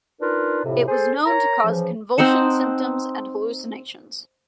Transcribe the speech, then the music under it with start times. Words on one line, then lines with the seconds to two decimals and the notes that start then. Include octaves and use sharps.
It was known to cause convulsion symptoms and hallucinations.
0.21 D4 D#4 F4 A#4 B4
0.64 F2 A2 C3
0.88 G#4 A4 C5
1.25 A#4 C#5 A#5
1.64 C#3 E3 F3
2.18 C4 D#4 F#5 A5